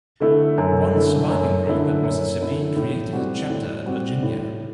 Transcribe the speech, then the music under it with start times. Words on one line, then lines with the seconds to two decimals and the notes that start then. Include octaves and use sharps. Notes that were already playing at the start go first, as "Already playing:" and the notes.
One surviving group at Mississippi created a chapter at Virginia.
0.20 D3 A3 E4
0.58 F#2
0.94 D3 A3 E4
1.30 F#2
1.67 D3 A3 E4
2.03 F#2
2.40 D3 A3 E4
2.76 A2
3.13 G3 C4 F#4
3.49 A2
3.86 G3 C4 F#4
4.23 A2